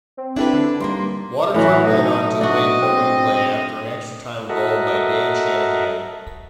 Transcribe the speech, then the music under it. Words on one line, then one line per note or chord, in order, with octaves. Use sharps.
Waterford went on to win the replay after an extra-time goal by Dan Shanahan.
C4
D4 E4 G4 A4 B4
D3
E2 D#3 G3 A#3 C6
F#2 A2 E3 F#3
A3 D#4
D4 F#4 D#5
C4
F#4 A4 A#4 D#5 E5 F#5